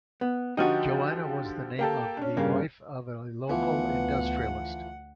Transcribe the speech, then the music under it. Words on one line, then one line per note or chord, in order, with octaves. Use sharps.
Joanna was the name of the wife of a local industrialist.
B3
D3 F3 D#4 F#4 G4
A#3 G4 A4
C#4 D4
G2 C#3 A#3
D2 E3 F3 B3 F#5